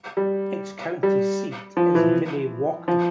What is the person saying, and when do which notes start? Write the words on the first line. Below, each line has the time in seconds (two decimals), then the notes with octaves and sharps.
Its county seat is Minnewaukan.
0.17 G3
1.03 G3
1.77 F3
1.95 E3
2.88 F3